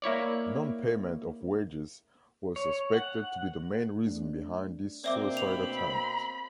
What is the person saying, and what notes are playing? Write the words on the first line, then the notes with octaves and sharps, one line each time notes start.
Non-payment of wages was suspected to be the main reason behind this suicide attempt.
A#3 E4 C#5 D5
C#5
F#5
A3 D4
B2 A#3 C4 D5 E5 D6
B5 F7